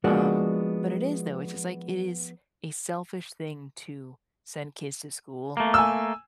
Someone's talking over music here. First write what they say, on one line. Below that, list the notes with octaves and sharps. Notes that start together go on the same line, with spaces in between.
um but it is, though, it's just, like, it is a selfish thing to send kids to school,
F3 G#3 A#3 B3 D4 F#4
A3 A#3
G#5 E6